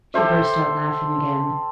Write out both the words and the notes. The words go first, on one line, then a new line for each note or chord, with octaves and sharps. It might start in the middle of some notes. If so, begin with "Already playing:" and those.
She burst out laughing again.
G4 A4 C5 E5